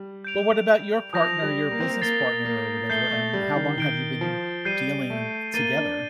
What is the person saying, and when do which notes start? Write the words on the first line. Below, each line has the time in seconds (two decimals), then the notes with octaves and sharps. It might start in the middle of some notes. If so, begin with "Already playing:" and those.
Well, what about your partner, your business partner, or whatever, um, how long have you been dealing together?
Already playing: G3
0.24 G6 D7 F7
1.13 F3 D#6 G6 A#6 F7
1.42 G3
1.71 A#3
1.80 C4
1.89 A#3
2.02 A#3 A6 C7 G7
2.45 A#3
2.90 A3 G6 C7 G7
3.11 A3
3.33 G3
3.56 D#3
3.77 D#3 G6 D7 G7
4.21 F3
4.65 G3 G6 C7 D#7
5.10 A3
5.54 A#3 A6 D#7 G7
5.76 D4